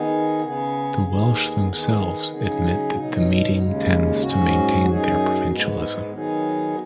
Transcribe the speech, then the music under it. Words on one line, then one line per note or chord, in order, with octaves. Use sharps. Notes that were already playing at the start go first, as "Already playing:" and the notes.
The Welsh themselves admit that the meeting tends to maintain their provincialism.
Already playing: D#3 B3 D#4 G#4
C#3 B3 G#4
D#2 D#3 B3 G#4
D#3 B3 G#4
C#3 F#3 D#4 G#4
B2 F#3 D#4
D#2 C#3 G#3
G#2 F#3 C#4 F#4
F#2 F#3 D#4 G#4
G#2 G#3 B3
D#3 F#3 B3 D#4 G#4